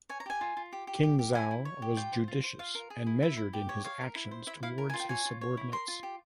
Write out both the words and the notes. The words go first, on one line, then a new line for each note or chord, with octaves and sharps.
King Zhao was judicious and measured in his actions toward his subordinates.
C#5 G#5
A#5
G4 G#5
F4
F4
G4
G4
G4
G4
E4 G#5
E4
C#5
G4
F4 G5
C5
F4
C5
F4 F5
A#4
G#4
E4
E4 E5
E4
G4
C#5
C#5 F5
A#4
E4
C5
E4 E5
E4 F5
A#4
G#5
F4
G5
C#5 G#5
F4
C#5
E4
A#4 C6
F4
G4